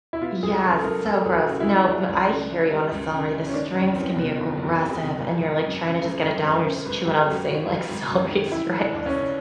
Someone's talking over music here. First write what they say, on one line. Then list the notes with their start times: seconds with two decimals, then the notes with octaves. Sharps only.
Yeah, so gross. No, but I hear you on the celery, the strings can be aggressive, and you're, like, trying to just get it down, you're just chewing on the same, like, celery strings.
0.13 E4
0.22 B3 F4
0.43 C#2 G#4
0.63 C#3 A4
0.84 F#3 A#4
1.05 B3 A4
1.26 C#2
1.32 F#4
1.46 C#3
1.60 E4
1.67 F#3
1.88 G3 D4
2.08 C#2
2.29 C#3
2.50 E3
2.71 G3
2.91 C#2
3.12 C#3
3.32 E3
3.47 C#4
3.54 D#3 D4
3.74 F#1 C#4
3.95 E2 C4
4.16 C3 B3
4.36 D#3 F4
4.57 F#1
4.64 G4
4.78 E2
4.91 G#4
4.99 C3
5.20 G#1
5.40 G#1
5.61 F#2
5.82 C#3
6.02 G#1 A4
6.23 G#1 A#4
6.44 F#2 C5
6.65 C#3 C5
6.85 G#1 B4
7.06 G#1 G4
7.27 F#2 F#4
7.47 D#3 F#4
7.69 G#1
7.89 G#1
8.10 F#2
8.30 D#3
8.51 E3 E4
8.72 F1
8.79 D4
8.93 D#2 D4
9.06 C#4
9.13 C#3